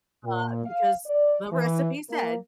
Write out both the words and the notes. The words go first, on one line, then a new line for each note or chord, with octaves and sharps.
uh, because the recipe said
A#2
F5
D5
E3
A#3